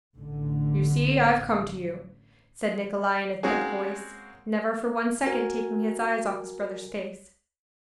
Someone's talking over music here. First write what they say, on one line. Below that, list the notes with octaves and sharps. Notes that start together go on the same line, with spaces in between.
"You see, I've come to you," said Nikolay in a thick voice, never for one second taking his eyes off his brother's face.
A1 D3
G#3 A#3 C4 C#4 F#4 G#4
F#4 A#4 G#5